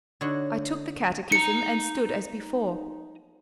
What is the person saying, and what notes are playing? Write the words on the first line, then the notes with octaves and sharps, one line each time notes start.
I took the catechism, and stood as before.
D3 D#4 F#4 C#5
D#4 A#5 C#7